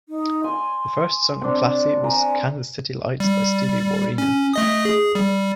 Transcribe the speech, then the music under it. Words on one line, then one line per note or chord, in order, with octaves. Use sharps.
The first song on "Classy" was "Kansas City Lights" by Steve Wariner.
D#4
G#5 C6
C4 D4
G#5 A#5
G3
C#4
A3 D#5 D#6
G#4
G3